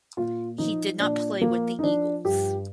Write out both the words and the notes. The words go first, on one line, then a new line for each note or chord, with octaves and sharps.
He did not play with the Eagles.
A#2 F4
F3 D#4
A#2 D4
F3 A#3
D#4
F3 D4
G2 G4